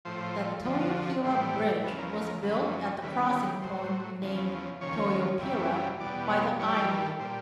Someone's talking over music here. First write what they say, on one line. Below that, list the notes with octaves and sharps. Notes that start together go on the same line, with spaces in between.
The Toyohira Bridge was built at the crossing point named "Toyopira" by the Ainu.
A2 F3 C5
F2 D3 F3
A2 E3 G3 C5
E2 C#3 F3 B4
A#4
A#4
A#4
F#2 C#3 F3 B4
D#2 C#3 E3 G3 B4
A2 F#3 C5
E2 C#3 F3
D#2 C#3 F3 C#5
F#2 C#3 E3 G3
E2 B2 G3 D5
C#5
G2 E3 G3 C#5
D5
A#4
A4
A#2 G3 C5